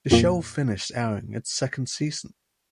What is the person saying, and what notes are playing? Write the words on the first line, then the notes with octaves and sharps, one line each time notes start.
The show finished airing its second season.
F2 A#2 A#3